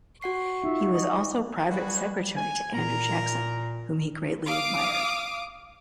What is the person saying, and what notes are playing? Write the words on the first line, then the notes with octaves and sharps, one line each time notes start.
He was also private secretary to Andrew Jackson, whom he greatly admired.
F#4 F#5 C#6 C7
D#4 F4 E5
D#5
G3 F#4 G#4 B4
G#5
A#2 A#4 A#5
F5 D6 D#6 D7